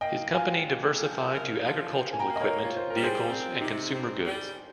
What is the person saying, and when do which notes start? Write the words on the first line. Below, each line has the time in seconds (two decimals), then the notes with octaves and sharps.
His company diversified to agricultural equipment, vehicles and consumer goods.
0.01 A#3 D#5 G5
0.34 F4 F5 G#5
0.67 A#3
1.00 F3
1.32 A#4
1.65 F3
1.98 A#3
2.13 G#5
2.19 G5 A#5
2.31 A#3
2.36 D#5
2.41 A#4 C#5
2.63 F4 C#5
2.77 C5
2.90 A#4
2.96 G3
3.04 G#4 C5
3.28 C4 F4 G#4
3.61 C3 D#4 G4
3.94 C4
4.26 G3